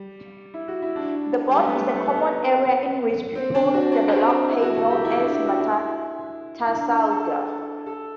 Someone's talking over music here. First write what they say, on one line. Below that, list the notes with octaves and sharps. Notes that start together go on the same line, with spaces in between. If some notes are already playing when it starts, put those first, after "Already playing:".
The ball is a common area in which people develop pain, known as metatarsalgia.
Already playing: G3
E4
F#4
E4
D4
G3
A3
B3
A3
A3
B3
C4
D4
F#4
D4
C4
E4
F#4
A4
G4
E4
D4
E4
F#4
E4
E4
D4
A4
A4